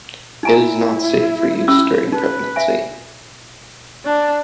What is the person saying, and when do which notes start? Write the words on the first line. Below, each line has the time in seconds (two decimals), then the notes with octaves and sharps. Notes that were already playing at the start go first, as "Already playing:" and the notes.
It is not safe for use during pregnancy.
0.43 D#4 E4 G#5 A#5
1.68 C#4 B5 E6
2.12 D#4 B4
2.56 E5 G#5
4.06 D4